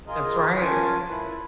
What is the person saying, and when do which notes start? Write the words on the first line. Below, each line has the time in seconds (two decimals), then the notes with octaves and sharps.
That's right.
0.07 F4 G#4 A#4 D#5
0.61 C#4 F4 A#4 G#5 A5
1.09 E4 B4